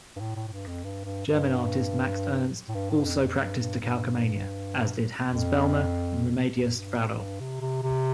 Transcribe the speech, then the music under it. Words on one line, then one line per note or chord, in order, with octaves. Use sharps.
German artist Max Ernst also practised decalcomania, as did Hans Bellmer and Remedios Varo.
G2
A2
A2
A2
G2
F2
G2
G2
G2
A2
G2
A2
G2
F2
F2
G2
G2
G2
F2
F2
G2
A2
G2
C3
C3
C3